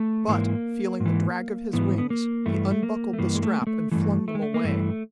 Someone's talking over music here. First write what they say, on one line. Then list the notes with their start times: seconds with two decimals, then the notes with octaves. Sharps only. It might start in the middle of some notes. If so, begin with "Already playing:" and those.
But, feeling the drag of his wings, he unbuckled the strap and flung them away.
Already playing: A3
0.28 G#2 E3 A#3
1.00 G#2
1.06 E3
1.73 G#2 E3 B3
1.98 B3
2.10 A#3
2.46 G2 E3 A3
2.71 A3
2.83 A#3
3.13 A3
3.19 G2 E3 A#3
3.35 G#3
3.43 A3
3.62 A#3
3.67 A3
3.91 G2 E3 A3
4.28 A3
4.35 G#3
4.42 A3
4.54 A#3
4.64 G2 E3 A3